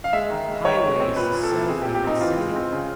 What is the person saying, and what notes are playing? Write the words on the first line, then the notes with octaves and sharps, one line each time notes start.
Highways serving the city.
F5
G#3 E5
D#3
G#3
D#3 C#5
G#3
C4
A#2 B4
A#2
A4
C4
C4 G#4
G4
A#2
G4
C4 D#4
E3 F4
G#3
C4
C#3